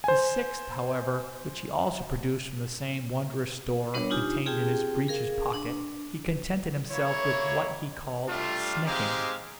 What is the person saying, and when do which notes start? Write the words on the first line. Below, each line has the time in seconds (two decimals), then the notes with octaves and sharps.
The sixth, however, which he also produced from the same wondrous store contained in his breeches pocket, he contented himself with what he called "snicking."
0.04 C5 G#5
3.94 G3 B3 D4 A#4 C#5
4.10 D4 D#4 F4 G4 G#5
4.46 C4 F4 G4 G#4 G5 A5
5.08 G#4 A#4 F5
5.54 D4
6.90 A#3 E4 C#5
8.28 G3 A3 D4 F4
8.86 G#3 C4 D#4 G4 F5